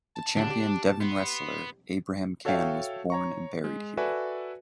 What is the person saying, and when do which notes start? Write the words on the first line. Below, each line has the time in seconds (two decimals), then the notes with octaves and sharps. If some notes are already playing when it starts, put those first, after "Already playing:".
The champion Devon wrestler, Abraham Cann was born and buried here.
0.16 A5
0.37 C#2 D3 D4 G4
0.50 G4
1.00 B3 C6
2.45 F#4 A4 C#5 E5 F5 G5
3.10 C#5 A#5 C#6
3.64 G#3
3.97 F#4 A4 B4 D5 E5 G#5